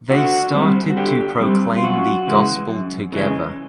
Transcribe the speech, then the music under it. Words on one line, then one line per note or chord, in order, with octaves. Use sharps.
They started to proclaim the Gospel together.
D3 F#4
G3 C4
F#4
D3 G4
G3 C4
F4
F#2 F#4
C#3 E3 G#3
F#2
C#3 E3 G#3